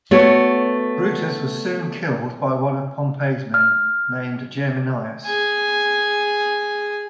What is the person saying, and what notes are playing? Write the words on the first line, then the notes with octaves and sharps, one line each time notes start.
Brutus was soon killed by one of Pompey's men, named Geminius.
A3 B3 F#4 C#5
F6
G#4 G#5